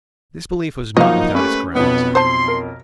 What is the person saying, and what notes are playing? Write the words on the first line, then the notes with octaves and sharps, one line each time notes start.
This belief was not without its grounds.
F3 F#3 A#3 D#4 D#5 F5
A3 C#4 G4 B4
B1 F2 B3
C5 A5 C6
A#4